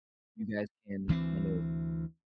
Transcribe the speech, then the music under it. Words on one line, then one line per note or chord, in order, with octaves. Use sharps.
you guys can kind of,
D2 E3 B3 C4